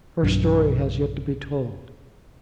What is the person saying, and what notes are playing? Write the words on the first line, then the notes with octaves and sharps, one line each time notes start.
Her story has yet to be told.
B1 G2 F#3 D4